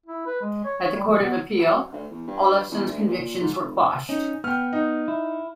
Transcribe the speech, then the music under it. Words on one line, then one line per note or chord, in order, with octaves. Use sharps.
At the court of appeal, Olofsson's convictions were quashed.
E4
B4
G#3
C#5
C#5
G3
F3
B3
F#3
D2
E2
G2
E2
D2
A#2
G#2
F1
C#4 D#4
B3 G5 F6
D#4
E4